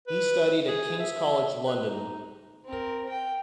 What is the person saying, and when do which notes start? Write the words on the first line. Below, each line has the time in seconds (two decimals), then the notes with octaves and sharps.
He studied at King's College London.
0.07 B4
0.68 G#4
1.00 E5
1.67 B4
1.89 D#4
2.65 C4 A#4
3.09 G5